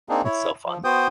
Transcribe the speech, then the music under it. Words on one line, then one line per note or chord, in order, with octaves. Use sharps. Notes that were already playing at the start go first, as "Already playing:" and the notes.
It's so fun.
A#3 C4 D4 D#4 G#4
E4 C#5
F3
B3 F#4 C5 G5 D#6 G6